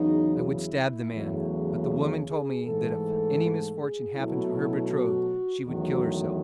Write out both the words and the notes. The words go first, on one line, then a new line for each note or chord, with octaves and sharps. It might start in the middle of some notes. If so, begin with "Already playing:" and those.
"I would stab the man, but the woman told me that if any misfortune happened to her betrothed, she would kill herself."
Already playing: E2 C#3 F#3 D#4
E4
E2 C#3 F#3 A3
G#4
G#2 E3 A3 A4
G#4
B2 F#3 A3 E4
F#4
E2 D#3 F#3 A3 F#4
E4